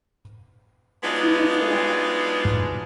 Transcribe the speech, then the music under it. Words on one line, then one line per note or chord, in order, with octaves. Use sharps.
Keep your chin up.
F#3 G#3 B3 D4 D#4 F4